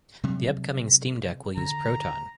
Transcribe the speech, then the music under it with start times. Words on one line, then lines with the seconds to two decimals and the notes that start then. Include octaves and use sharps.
The upcoming Steam Deck will use Proton.
0.23 C3 F#3 G3
1.57 D3 A#5